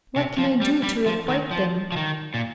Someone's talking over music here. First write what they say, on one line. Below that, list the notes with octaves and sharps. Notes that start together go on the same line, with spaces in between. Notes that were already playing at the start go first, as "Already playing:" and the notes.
What can I do to requite them?
C3
F3
G3
G3
F3
D#3
F3
F3
D#3
A#2